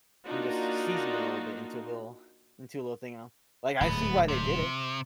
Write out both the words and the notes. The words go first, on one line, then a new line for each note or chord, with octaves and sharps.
"and just s seasoned a little bit into a little into a little thing, uh?" Like, I see why they did it.
A#3 D4 D#4 F4 F#4
D1 G#2 B3
C3